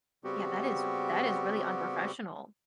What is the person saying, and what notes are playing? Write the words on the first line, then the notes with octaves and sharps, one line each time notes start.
Yeah, that is that is really unprofessional.
C#3 G3 B3 C4 F#4 G4